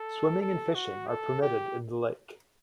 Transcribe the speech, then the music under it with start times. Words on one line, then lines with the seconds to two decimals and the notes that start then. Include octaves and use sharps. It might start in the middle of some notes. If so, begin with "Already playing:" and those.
Swimming and fishing are permitted in the lake.
Already playing: A4
0.41 A4
0.75 F#4
1.08 A4
1.42 G4